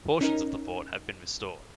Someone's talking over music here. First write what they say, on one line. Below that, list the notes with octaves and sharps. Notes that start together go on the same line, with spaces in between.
Portions of the fort have been restored.
C#4 D#4 A#4